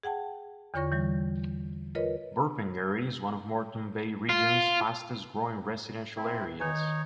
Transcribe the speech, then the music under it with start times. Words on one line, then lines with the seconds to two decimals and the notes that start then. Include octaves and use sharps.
Burpengary is one of Moreton Bay region's fastest growing residential areas.
0.03 G#4 F#5 G5 A5
0.74 E2 D3 F4 C#5 C#6 A#6
0.92 E3 G3
1.95 F4 A#4 B4 C#5 D#5
4.29 F4
6.17 C4 E4
6.60 D#3 D#4 C#5 G#5